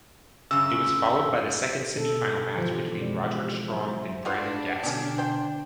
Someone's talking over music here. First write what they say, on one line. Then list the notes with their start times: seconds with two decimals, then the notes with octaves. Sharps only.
It was followed by the second semifinal match between Roderick Strong and Brandon Gatson.
0.51 F#2 C#3 E6
1.97 B2 A4
2.55 D3 E3 F3 F4 G4 C5
3.00 B2 G#3 C4 D5
3.70 F#3 C5 E5
4.25 G3 D4 F4 F#4 B4 F#5
4.83 B2 D3 C#4 G4
5.18 C5 G5